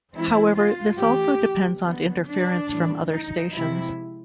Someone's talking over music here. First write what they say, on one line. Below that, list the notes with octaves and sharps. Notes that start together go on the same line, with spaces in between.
However, this also depends on interference from other stations.
E3 G#3 C4 E4
F4
E3 A3 C#4 G4
D3 F#3 B3
D4
A2 E3 G3
D#4
C3 F3 G#3 E4